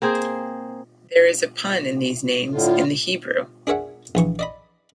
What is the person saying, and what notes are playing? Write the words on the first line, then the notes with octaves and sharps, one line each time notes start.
There is a pun in these names in the Hebrew.
A#3 C4 G#4 C5
A2 D3 F4
D4 G#4 A#4 C#5 E5 F#5
A#1 E3 C#6
D5 D#5 B5